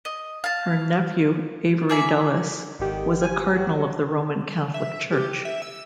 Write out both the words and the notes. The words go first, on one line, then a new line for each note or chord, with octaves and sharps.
Her nephew Avery Dulles was a cardinal of the Roman Catholic Church.
D#5
F5 A5
A#3 G#4 E5
G#1 D3 D#3 G4
G#5
F#3
E5
G4
E5
E6